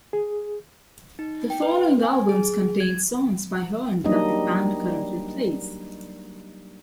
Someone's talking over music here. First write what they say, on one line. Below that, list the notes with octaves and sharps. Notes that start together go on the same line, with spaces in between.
The following albums contain songs by Hearn that the band currently plays.
G#4
D#4
G5
B4
G#5
G#4
G#6
F#3 G3 A#3 D4 D#4 D#5